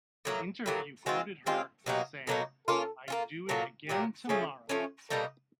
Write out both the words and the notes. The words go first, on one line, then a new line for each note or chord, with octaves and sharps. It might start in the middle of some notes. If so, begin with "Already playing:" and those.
The interview quoted her as saying, I'd do it again tomorrow.
A2 F#3 A#3
A2 F#3 A#3 G4
G#3 C4 F4 F#4
G#3 C4 F4 G4
B2 F#3 A#3 D#4 G4
B2 F#3 A#3 D#4 A4
A#3 C#4 F4 A4
A#3 C#4 F4
A#2 F#3 A#3 A4
A#2 F#3 A#3 G4
F3 A3 C#4 G#4
F3 A3 C#4 A4
B2 G3 A#3 D#4 A4